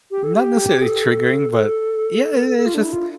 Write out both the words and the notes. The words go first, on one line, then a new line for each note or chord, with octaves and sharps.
not necessarily triggering, but yeah, it it's just
G4
A4
G4
A4
A4
A4
A#4
A4
A4
F4
D4
E4
F4